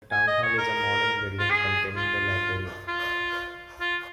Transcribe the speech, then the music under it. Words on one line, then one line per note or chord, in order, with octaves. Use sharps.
The town hall is a modern building containing the library.
G#5
D#5
C#5
A#4
F4
G#4
F4
F4
F4